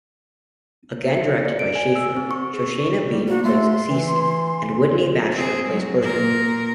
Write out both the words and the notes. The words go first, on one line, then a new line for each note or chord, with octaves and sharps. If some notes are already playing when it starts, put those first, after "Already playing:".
Again directed by Schaeffer, Shoshana Bean plays Cee Cee and Whitney Bashor plays Bertie.
C#7
D5
D7
G#5
E6
C4
C#6
G#4
G3
A#3 F#4
A3 C6
E3
C4 G#4
F#3 G#3
A#2 A#4